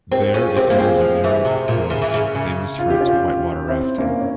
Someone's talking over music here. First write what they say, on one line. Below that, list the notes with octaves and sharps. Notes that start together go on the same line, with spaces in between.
There it enters a narrow gorge, famous for its white water rafting.
C4 G4 A#4
C#4 F4 G#4
C4 G4 A#4
A#3
C4 F4 G#4
F3
E3
C3
A#2
C#3
E3
C#3
C#3
F4
G4
C#4 F4
C4 E4
A#3 C#4
C#4